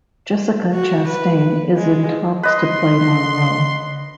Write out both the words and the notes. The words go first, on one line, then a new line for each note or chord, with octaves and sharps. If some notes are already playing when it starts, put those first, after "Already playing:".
Jessica Chastain is in talks to play Monroe.
F#4
B4
G#3
B4 D#5 C6